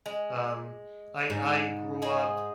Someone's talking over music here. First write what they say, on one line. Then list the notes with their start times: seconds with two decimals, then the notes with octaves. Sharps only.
um, I I grew up
0.06 G#3
1.30 G#2
2.02 G#4 C5 D#5